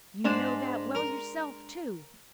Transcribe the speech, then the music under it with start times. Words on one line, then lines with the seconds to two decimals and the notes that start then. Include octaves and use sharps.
You know that well yourself, too.
0.25 G#2 G#3 D4 C5
0.95 A#4